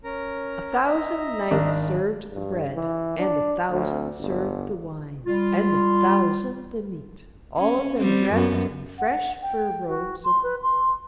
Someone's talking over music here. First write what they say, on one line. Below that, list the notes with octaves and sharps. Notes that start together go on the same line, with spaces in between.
A thousand knights served the bread, and a thousand served the wine, and a thousand the meat--all of them dressed in fresh fur robes of ermine.
C#4 A#4 A#5
D#5 E5 A#5
G#1 D4 A#4
G2
E3
D4
D2
G1
G3 F4
C#4
G3 C4
F#2 B3
F#5
G5
F#4
C6
B4
C6